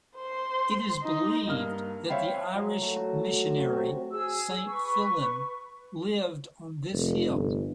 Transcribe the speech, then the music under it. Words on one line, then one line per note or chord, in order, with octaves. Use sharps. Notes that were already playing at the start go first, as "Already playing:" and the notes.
It is believed that the Irish missionary Saint Fillan lived on this hill.
C5 C6
D#4
G2 A#3 F6
C5 C#5 E5 F5 G5 B5
F#3
A3
F#4
C#6
C3
G#4 E6
B4 C#6
F1
G1